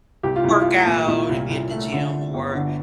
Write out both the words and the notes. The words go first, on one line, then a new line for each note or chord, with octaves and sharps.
work out and be at the gym more,
C2 G4
F4
C2 E4
A3 F4
A#2
A#2 E4
C2
C2
A3
D3
D3
G1
D3